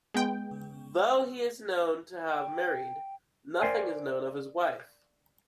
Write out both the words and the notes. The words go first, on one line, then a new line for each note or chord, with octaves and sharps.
Though he is known to have married, nothing is known of his wife.
G#3 B3 G5
G5
A#4 C5 D5 G5 G#5